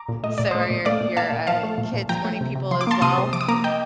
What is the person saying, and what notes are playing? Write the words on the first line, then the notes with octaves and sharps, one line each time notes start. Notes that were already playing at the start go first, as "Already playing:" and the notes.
So are your your, uh, kids morning people as well?
Already playing: A#5 D6
A#2
A3 D#5
A#2 D5
A3 C5 D#5
A#2
A3 D5 F5
A#2
A#2 F5 A5
A#2
F3 F5 A5
A3
A#2
A#2
F3 G5 A#5
A3
C3
C3
F3 C6
D6
A#3 A5 C6
C3 C6 D#6
C3
F3 D6
D#6
A#3 A#5 D6
D#5 G5